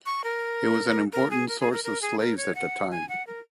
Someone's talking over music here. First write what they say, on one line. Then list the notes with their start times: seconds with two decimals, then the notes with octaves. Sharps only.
It was an important source of slaves at that time.
0.06 C#6
0.24 A#4
1.12 A#4
1.31 G#4
1.48 A#4
1.60 G#4
1.72 A#4
1.84 A#4
2.02 G#4
2.19 A#4
2.37 C#5
2.55 F#5
2.91 G#5
3.09 F#5
3.27 A#4